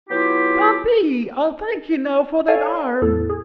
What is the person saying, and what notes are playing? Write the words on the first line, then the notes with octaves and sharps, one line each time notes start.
Pompey, I'll thank you now for that arm.
F#3 B3 E4 F4 G4
A4 C#5 D5 F5 G#5 A5
E2 A2 A4
G#4